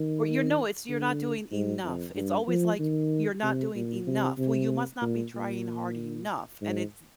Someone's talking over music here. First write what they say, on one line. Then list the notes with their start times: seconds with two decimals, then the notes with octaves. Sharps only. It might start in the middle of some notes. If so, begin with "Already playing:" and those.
Or, your know it's "You're not doing enough." It's always like, "You're not doing enough. Well, you must not be trying hard enough", and it's
Already playing: D#3
0.88 D3
1.52 G#2
1.83 F2
2.15 G2
2.48 F3
2.79 D#3
3.43 C3
3.75 A#2
4.07 C3
4.38 C3
5.02 A#2
5.34 A#2
6.62 G#2